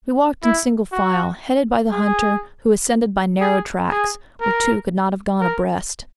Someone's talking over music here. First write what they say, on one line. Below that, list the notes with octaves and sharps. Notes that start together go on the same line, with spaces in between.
We walked in single file, headed by the hunter, who ascended by narrow tracks, where two could not have gone abreast.
E4
F#4
G#4
G#4
G#4
A#4
A#4